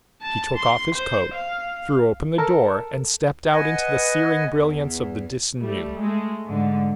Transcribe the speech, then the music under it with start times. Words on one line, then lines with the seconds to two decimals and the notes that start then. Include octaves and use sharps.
He took off his coat, threw open the door and stepped out into the searing brilliance of the Disan noon.
0.22 A5
0.56 C6
0.95 C5
1.35 F5
2.38 A4 A#4 A5
3.52 B4 D#5 F#5 G#5
4.50 E2
5.59 G3 A3
5.99 G#3 A3
6.47 G#2 D3